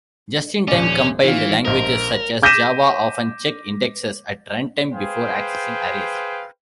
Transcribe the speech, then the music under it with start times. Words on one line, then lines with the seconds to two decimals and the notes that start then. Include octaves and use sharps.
Just-in-time compiled languages such as Java often check indexes at runtime before accessing arrays.
0.68 D#1 C#4 D5
1.24 D#3 E3 F4
1.65 A#1 A#4 C5 D#5
2.43 D6 G6 A#6 B6 D#7 E7
4.93 G#4 B4 C5 F5 G5